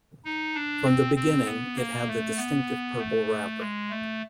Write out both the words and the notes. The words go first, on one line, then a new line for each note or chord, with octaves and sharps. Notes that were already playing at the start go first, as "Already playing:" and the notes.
From the beginning, it had the distinctive purple wrapper.
D#4
D4
C4
C4
B3
A#3
A3
B3
A3
G#3
A3